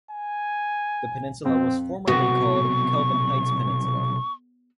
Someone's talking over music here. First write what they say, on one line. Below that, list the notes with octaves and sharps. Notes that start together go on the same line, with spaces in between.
The peninsula was formerly called Kelvin Heights Peninsula.
G#5
F2 C4
B1 C3 B3 F#4 C#6